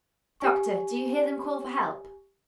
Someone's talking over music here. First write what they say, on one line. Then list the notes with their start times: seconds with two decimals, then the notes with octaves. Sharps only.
"Doctor, do you hear them call for help?"
0.40 G4 G#5 C#6